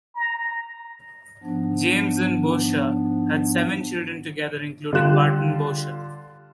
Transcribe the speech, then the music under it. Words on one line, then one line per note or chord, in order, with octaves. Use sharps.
James and Boucher had seven children together, including Barton Boucher.
A#5
G#2 F3 B3 D4
D3 G3 F4 F#6 E7